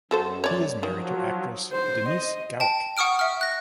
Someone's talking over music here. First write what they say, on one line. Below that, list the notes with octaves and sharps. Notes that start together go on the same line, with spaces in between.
He is married to actress Denise Galik.
F#2 F#3 A4 C5
C#5 D5
D#3 F3 F#3
C5
D#5
G5 A5
F#5 C#6 D#6 F6 D7
E5 F6
F#6 A#6